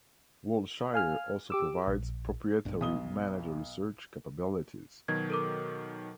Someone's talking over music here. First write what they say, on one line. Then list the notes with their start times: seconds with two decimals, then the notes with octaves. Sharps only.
Wilshire also provides proprietary manager research capabilities.
0.94 F5 G#5 F6
1.50 G4 D6 E6
1.88 A#1
2.65 A#1 G2
2.81 B1 B2 B3 D#6 G7
5.08 B2 D#3 F#3 G#6
5.30 A4 A#4 D6